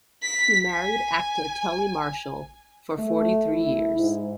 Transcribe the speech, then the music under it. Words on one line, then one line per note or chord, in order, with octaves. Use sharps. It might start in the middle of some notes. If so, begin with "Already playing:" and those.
She married actor Tully Marshall for forty-three years.
B6
G#5
A3
E4
G#2